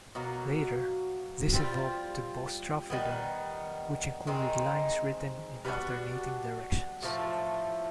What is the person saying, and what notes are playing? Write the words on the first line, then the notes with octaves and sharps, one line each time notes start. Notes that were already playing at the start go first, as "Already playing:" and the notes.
Later, this evolved to "boustrophedon," which included lines written in alternating directions.
B2 F#3 A#3
G3 C4 F4
D#3 G3 B3
D#3 G#3 C4 D#4
G3 B3 D4 F#4
A2 F3 A3